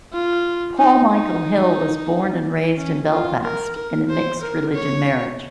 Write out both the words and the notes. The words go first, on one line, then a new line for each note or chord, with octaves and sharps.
Paul Michael Hill was born and raised in Belfast in a mixed-religion marriage.
F4
D#4
D#4
C#4
F4
A#4
A#4
C5
A#4
C#5